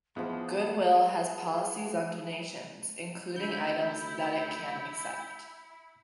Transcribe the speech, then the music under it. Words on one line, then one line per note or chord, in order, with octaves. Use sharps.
Goodwill has policies on donations, including items that it can accept.
E2 F3 G#3 B3 G#4 A5
D2 E4 G6